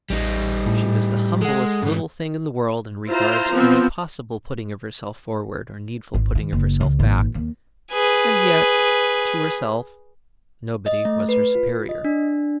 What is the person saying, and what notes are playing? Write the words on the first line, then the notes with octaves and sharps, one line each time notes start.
She was the humblest little thing in the world in regard to any possible putting of herself forward or needful putting of herself back; and yet, to herself, nobody was her superior.
A1 G3 D#4
A2
G#3 A4 F#5
G#2 E3
E4 F4 C5 A#5
F3 B3 C4
G#1
D#3
F#1
C#2
G#1 A#2
D#2
G#4 B4
D#5
A3
B4
F4
D#5
D4